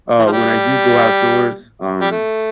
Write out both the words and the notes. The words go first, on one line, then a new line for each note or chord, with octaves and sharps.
uh, when I do go outdoors, um,
E3
F3
G3
G3
A3